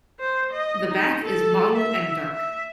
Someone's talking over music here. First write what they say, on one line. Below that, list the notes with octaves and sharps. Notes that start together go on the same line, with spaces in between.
The back is mottled and dark.
C5
D#5
D#4
A4
E5
E5